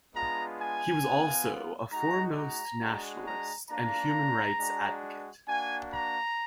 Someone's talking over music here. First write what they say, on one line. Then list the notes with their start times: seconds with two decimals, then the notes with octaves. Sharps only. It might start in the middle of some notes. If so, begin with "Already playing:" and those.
He was also a foremost nationalist and human rights advocate.
0.14 G#3 B3 D4 F4 A#5
0.59 G#5
1.03 B3 F4
1.92 G#3 D#4 F#4 A#5
2.37 A#5
2.81 G#3 D4 F#4
3.25 A#5
3.69 A#3 D4 F4 A#5
4.59 G#3 D4 F#4
5.47 A#3 D4 F#4 G#5
5.92 A#5